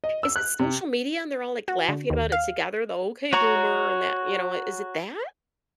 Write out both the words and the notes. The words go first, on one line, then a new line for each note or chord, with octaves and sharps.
Is it social media, and they're all, like, laughing about it together? The, "Okay boomer," and that you know, is it that?
D#5
E6
F#6
C3
F#4
D3
D#2
F5
F#4 C#5 A#5 C#6